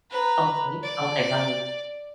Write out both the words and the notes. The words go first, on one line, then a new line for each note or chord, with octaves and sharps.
okay, okay, by
B4 A#5
D5